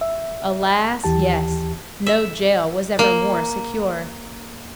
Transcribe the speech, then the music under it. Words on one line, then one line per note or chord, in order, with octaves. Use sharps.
Alas! yes: no jail was ever more secure.
E5
D#2 E3 G4 A5
E5
A#3